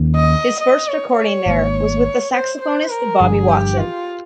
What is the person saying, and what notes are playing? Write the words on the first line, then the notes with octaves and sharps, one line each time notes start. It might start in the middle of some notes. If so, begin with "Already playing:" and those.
His first recording there was with the saxophonist Bobby Watson.
Already playing: D#2 D#3 A#3 C#4
D#5
D#5
C#5
C#5
G#1 G#2 D#3 A#3
C5
C5
A#4
G1 G2 F3 G#4
G4
F4